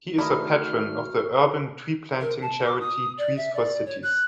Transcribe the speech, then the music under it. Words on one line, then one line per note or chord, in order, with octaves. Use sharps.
He is a patron of the urban tree-planting charity Trees for Cities.
D#3 A3 D4 E4 F#4 A#4 D#5 F6
A#4
A5
D6
D#6
D5
E5
D5
C#5
F#6